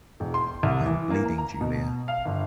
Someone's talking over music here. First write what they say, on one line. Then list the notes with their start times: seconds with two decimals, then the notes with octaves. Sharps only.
I’m bleeding Julia.
0.20 E1
0.34 C6
0.63 C2
0.86 E3
1.10 A#3
1.25 A#5
1.38 A#5
1.61 B2
2.08 F5
2.25 G1